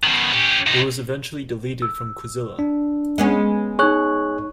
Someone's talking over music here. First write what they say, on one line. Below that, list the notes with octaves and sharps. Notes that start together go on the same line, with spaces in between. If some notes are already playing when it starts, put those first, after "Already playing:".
It was eventually deleted from Quizilla.
B2 D#3
C#4 G4
C3 D#4
E6
D4
G#3 B3 C#4
D#4 G#4 C#5 C#6 F#6